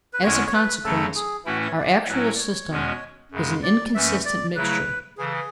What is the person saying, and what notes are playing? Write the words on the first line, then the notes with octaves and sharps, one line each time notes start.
As a consequence, our actual system is an inconsistent mixture.
B4
E2 D3 G#3 C#4 E4 C#5
C#5
B4
F#2 C#3 F#3 A3 A4
G#4
A2 E3 A3 C#4 E4 F#4
C#5
D5
D5
A2 F#3 C#4 E4 B4
D5
C#5
E2 B2 G#3 C#4
F#2 C#3 G#3
D5
F#2 E3 A3 C#4 E5
D5
C#3 F#3 A3 E4 B4
C#3 E3 G#4
A4
G#4